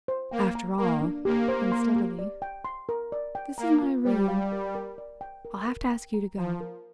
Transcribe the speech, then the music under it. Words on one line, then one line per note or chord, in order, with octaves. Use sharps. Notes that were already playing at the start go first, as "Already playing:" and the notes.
"After all"--unsteadily--"this is my room; I'll have to ask you to go."
C5
A#3 G5
A#5
A#3 A#5
D4
A#3 G4
C5
C6
G4
D5
G5
C6
A#4
D5
G5
A#3 A#5
F4
G3 C5
F5
A#4
A#4
D5
G5
A#4
A#4
G5
A#5
F3 A#5
A#4